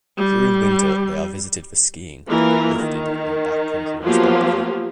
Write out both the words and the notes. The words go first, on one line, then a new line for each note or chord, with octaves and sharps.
During winter they are visited for skiing, lifted and back country respectively.
G3
E3 A#3 F4 A#4
D#3
F3 F#3 A#3 B3 F4 G4